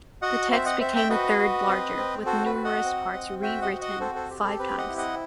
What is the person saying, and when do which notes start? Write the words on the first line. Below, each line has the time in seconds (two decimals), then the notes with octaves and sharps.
The text became a third larger, with numerous parts rewritten five times.
0.22 F#4 D#5 F#5
0.51 C4 C5 E5
0.66 D#5 F#5
0.80 C4 C5 E5
0.95 E5 G5
1.10 F#4 B4 D#5
1.38 F#4
1.67 C4
1.97 C4
2.26 F#4 A4 C5
2.46 B4
2.55 F#4
2.64 D#5 F#5
2.84 C4
3.14 C4
3.42 F#4 E5 G5
3.62 D#5 F#5
3.72 F#4
3.81 D#5 F#5
4.01 C4 A4 C5
4.15 A4 C5
4.30 G4
4.44 A4
4.59 C4 B4
4.78 D#5 F#5
4.88 E4
4.98 D#5 F#5